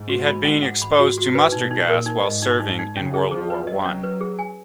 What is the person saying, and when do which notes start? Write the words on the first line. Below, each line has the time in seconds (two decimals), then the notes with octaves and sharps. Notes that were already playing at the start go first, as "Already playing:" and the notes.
He had been exposed to mustard gas while serving in World War One.
Already playing: G#2
0.09 F#4
0.27 B5
0.45 F#5
0.63 F#5
0.82 B5
1.00 F#4
1.18 F#4
1.35 B4
1.52 B2 D#4
1.71 D#4
1.89 A#2 A#4
2.06 D#4
2.25 G#2 D#5
2.42 D#4
2.60 D#4
2.79 D#4
2.96 C#3 C#4
3.14 G#4
3.31 F3 G#4
3.50 B4
3.67 F#3 D#5
3.85 C#4
4.03 B4
4.21 G#4
4.39 G#5